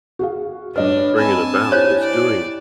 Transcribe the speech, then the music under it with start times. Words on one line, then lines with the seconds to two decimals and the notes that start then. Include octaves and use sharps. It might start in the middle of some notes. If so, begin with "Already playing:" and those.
bringing about, is doing
0.19 F#4 G#4 F5
0.76 G2 D4 B4 C#5 D#5 F6
1.18 C4 G#5 A5 B5 E6
1.72 E4 G4 C5 C#5
2.02 D5